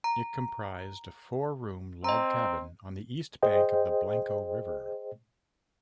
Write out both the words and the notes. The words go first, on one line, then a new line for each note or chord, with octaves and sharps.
It comprised a four-room log cabin on the east bank of the Blanco River.
A#5
C4 D#5 A#5
G#4 C5 D#5 G5